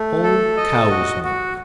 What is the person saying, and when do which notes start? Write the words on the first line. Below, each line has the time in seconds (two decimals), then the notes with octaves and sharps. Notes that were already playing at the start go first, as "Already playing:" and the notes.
Whole cow's milk.
Already playing: A3
0.23 A4
0.57 D#5
0.90 F#4
1.24 F#4